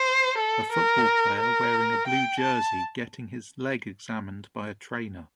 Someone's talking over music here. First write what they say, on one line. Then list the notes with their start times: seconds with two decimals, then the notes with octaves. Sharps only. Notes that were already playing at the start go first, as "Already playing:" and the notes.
A football player wearing a blue jersey getting his leg examined by a trainer.
Already playing: C5
0.38 A4
0.72 A#4
1.40 A#4
2.08 G5
2.41 A5